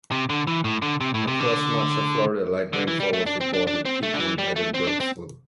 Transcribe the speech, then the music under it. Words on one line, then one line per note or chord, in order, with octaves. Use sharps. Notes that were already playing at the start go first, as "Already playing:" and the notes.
Across much of Florida, light rainfall was reported, peaking at in Brooksville.
C3
D3
E3
A2
D3
C3
A2
C3
D3
D3
E3
G3
A3
D4
C4
D4
D4
C4
A3
D3
E3
G3
A3
C4
D4
C4